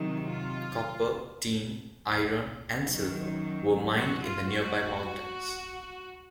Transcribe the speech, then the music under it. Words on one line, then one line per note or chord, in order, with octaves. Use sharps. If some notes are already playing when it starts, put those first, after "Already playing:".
Copper, tin, iron and silver were mined in the nearby mountains.
Already playing: C3 D#3 F#3
F4
F#2 D#3 F#3
F#4
F4
F#4